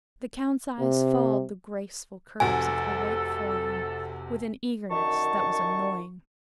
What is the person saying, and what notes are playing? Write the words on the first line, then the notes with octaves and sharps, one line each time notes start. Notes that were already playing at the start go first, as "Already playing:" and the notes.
The count's eyes followed the graceful curves of her white forearm with an eagerness that was annoying.
C3
F1 C3 F#4 A4 G#5
F#2 D3 D#3 A5 C#6